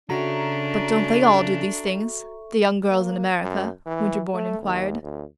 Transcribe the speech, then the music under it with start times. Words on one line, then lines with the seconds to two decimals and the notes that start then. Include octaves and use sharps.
"But don't they all do these things--the young girls in America?" Winterbourne inquired.
0.10 C#3 C#4 D4 F#4 A4 E5 A#5 C#6
2.89 A#3
3.42 F#2
3.86 E3
4.34 A3
4.63 D#2
5.02 D2